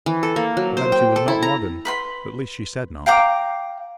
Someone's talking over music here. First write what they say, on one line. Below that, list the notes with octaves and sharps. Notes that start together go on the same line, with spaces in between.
But then she was not modern, at least she said not.
E3
A4
A#3
F#3
C5
G5
A4
E4
A#5
B4 B5 C6
F5 G5 A#5 D6